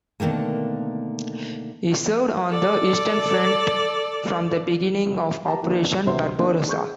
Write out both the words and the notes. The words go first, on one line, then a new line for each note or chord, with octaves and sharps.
He served on the Eastern Front from the beginning of Operation Barbarossa.
B2 D3 D#3 A3 A#3
A4 D5
G4 A5 A#5
E3 A#3 D4
D2 C3 F#3 B4 C5 C6
D#3 A#3 C4 D4
G#4 C#6 G6